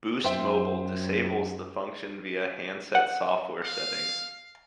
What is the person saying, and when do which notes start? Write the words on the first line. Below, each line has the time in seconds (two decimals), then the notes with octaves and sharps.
Boost Mobile disables the function via handset software settings.
0.24 F#2 C5 E5 G5
2.95 F#5
3.64 F5